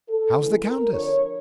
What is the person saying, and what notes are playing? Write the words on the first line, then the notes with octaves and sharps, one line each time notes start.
How's the countess?
A4
D2 C#3 E3
A#4
F2 D3 F3 C#5